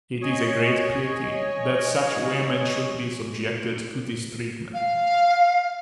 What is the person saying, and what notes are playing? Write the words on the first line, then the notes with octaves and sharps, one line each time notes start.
It is a great pity that such women should be subjected to this treatment.
C#5 D#5 G#5
F5